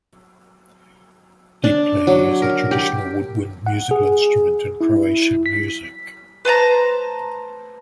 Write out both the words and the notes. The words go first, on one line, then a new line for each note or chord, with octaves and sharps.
Diple is a traditional woodwind musical instrument in Croatian music.
D4
F#3
A#4
G4
F#5
G#4
E4
B6
B4 C5 A5 A#5